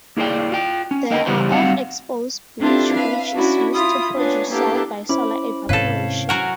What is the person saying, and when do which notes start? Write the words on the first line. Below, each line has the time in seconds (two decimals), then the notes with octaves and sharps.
There are of exposed beach which is used to produce salt by solar evaporation.
0.17 A#3 E4 G#4 C#5 D5 G5
0.52 F4 G5
0.91 C#4
1.11 A#3 A#4 D#5 G5
1.26 C#3 E3 G3 B3 E4 C5
1.51 F#3 G3 C4 F5 F#5
2.59 C4 D4 E4 F4 G4 A4
2.93 B4 E5 F5
3.35 C#4 D4 E4 F#4
3.72 E4 F4 B5 D#6
4.16 B3 D4 F4 C#5 G#5
4.51 A#3 B3 D4 E4 G4 A4
5.09 C#4 E4 C5 B5 D6
5.69 G#2 C3 A4 B4 C#5 F5 G6
6.29 F#3 F#4 A#4 F#5 G#5 A#5